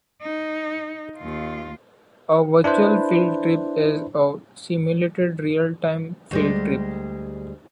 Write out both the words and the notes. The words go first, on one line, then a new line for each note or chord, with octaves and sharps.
A Virtual field trip is a simulated, real-time field trip.
D#4
D#2 F4
D4 E4 B4 C5
D2 G3 G#3